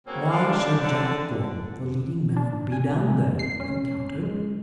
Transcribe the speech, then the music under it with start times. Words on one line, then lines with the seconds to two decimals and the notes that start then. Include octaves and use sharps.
"Why should Jack Gordon, the leading man, be down there?" he countered.
0.07 G2 C#3 A#3 C4 C#4 F#4
0.30 D3 F3 F5
0.47 F#2 C#3 E3 D4
0.82 D3
2.37 D4
2.72 G#5
2.96 C3
3.39 C7
3.60 C#4
4.23 G#3